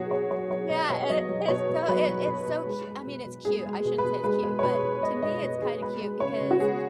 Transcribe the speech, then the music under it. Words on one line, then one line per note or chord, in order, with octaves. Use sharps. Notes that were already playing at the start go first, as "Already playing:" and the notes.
yeah, and it is so it it's so cu I mean, it's cute, I shouldn't say it's cute, but to me, it's kinda cute because,
Already playing: B2 F#3 F#4 G#4 C#5
B2 C#5
F#3 C#5
F#3 C#5
B2 D#5
B2 C#5
F#3 D#5
F#3
B2 C#5
B2
F#3 B4
F#3
B2
B2
G#3
G#3
B2
B2
G#3 G#4
G#3
B2
B4
B2
G#3 B4
G#3
C#5
B2 B4
B2
G#3 D#5
G#3 D#5
B2 B4
B2 G#4
G#3 B4
G#3
C#3 C#5
C#3
F#4
G#3 G#4